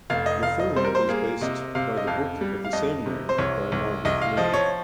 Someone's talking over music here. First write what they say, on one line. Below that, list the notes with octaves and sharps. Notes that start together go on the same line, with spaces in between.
The film is based by the book of the same name by Margaret Mahy.
F1 F5
D#5
F1 F5
D#5
G3 C5
A#4
C5
A#3 G#4
C3 D#5
C3 F5
D#5
F2 F5
G3
F5
F2 D#5
C3
C5
C2 C#5
C2
C2 D#5
F5
F3 D#5
C#5